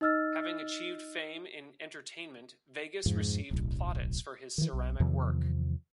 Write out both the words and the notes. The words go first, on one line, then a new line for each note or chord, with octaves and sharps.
Having achieved fame in entertainment, Vegas received plaudits for his ceramic work.
D#4 D#5 E6 F6 A6
F2 G#2 F3
D1 B1
D#3 E3
B1
E2 C3 D#3 F3